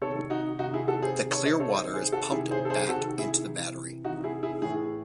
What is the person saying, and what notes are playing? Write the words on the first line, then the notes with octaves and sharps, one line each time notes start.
The clear water is pumped back into the battery.
C3 D#3 A4 C#5
D#4 F#4
C3 D#3 D#4 F#4
E4 G#4
F#4 A4
G#4 C5
C3 D#3
A4 C#5
C5 D#5
A4 C#5
C3 D#3 C5 D#5
G#4 C5
F#4 A4
C3 D#3 E4 G#4
G#4 C5
A4
G#4 C5
C3 D#3 F#4 A4
E4 G#4
C3 E3
C3 E3 D#4 F#4
E4 G#4
E4 G#4
A2 E3 E4 G#4